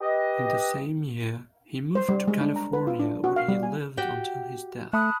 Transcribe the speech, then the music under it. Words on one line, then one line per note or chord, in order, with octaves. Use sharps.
In the same year he moved to California, where he lived until his death.
G4 B4 D#5
C5
G3
G#3
D4
A#5
B4
F4
D4
F#4
F5
G3
G#5
F#4 G4 G5
A3 A5 B5 D#6 F#6